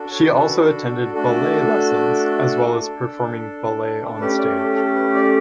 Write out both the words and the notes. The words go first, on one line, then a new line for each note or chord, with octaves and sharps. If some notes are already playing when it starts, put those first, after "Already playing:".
She also attended ballet lessons, as well as performing ballet on stage.
Already playing: D4 F#4 A4
C#5
B4
B4
A3 D4 F#4 A4
D4 A4
A3 C#4 G4 B4
D5
A4
A4
B4
D5